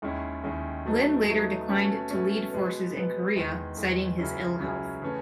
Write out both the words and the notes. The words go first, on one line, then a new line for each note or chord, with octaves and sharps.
Lin later declined to lead forces in Korea, citing his ill health.
D#2 D#3 G#3 C#4 E4
D#2 D#3 G#3 C#4 E4
B2 F#3 A3 D#4
B2 F#3 A3 D#4
B2 A3 C#4
B2 A3 C#4
B2 G#3 B3
B2 G#3 B3
E2 D#3 G#3
E2 D#3 G#3
C#2 C#3 F#3 C#4 E4
C#2 C#3 F#3 C#4 E4
C#3 E3 A3 C#4